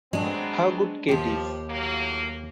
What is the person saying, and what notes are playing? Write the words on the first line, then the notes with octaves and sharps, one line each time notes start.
How good Kate is!
F#3 G#3 B3 C4 D4
D#2 F3 G4
A2 F#3 A#3